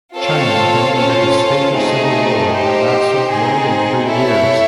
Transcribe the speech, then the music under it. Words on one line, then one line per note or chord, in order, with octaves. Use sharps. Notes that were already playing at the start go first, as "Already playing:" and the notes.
China then entered a state of civil war that lasted more than three years.
C4 F4 A4 C#5 F5
C#4 F4 A4 C5 F5
A3 C4 D#4 G#4
D#4 G4 C5
C4 D#4 G#4
E4 A4 C#5 E5